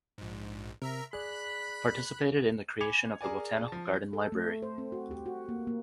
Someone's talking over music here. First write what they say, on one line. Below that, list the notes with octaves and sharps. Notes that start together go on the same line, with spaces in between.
Participated in the creation of the botanical garden library.
A#1 G#2
C3 A#4 E5 A#5
G#4 D5 B5 F#6
G#5 B5 D6 G#6 C#7 F7
G#4 A#4 D5 G#5
F3 A5
A4
A3
C5
C4
F#4
G4
F#4
A#3
A#3